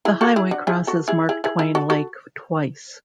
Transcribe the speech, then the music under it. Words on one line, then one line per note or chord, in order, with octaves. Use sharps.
The highway crosses Mark Twain Lake twice.
E4 G#4
F#4 A4
E4 G#4
D4 F#4
E4 G#4
F#4 A4
E4 G#4
E4 G#4
E4 G#4
E4 G#4
F#4 A4
F#4 A4